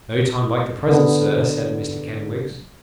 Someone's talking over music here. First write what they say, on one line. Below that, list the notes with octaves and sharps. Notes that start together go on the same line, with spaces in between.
'No time like the present, sir,' said Mr Kenwigs.
D3 B3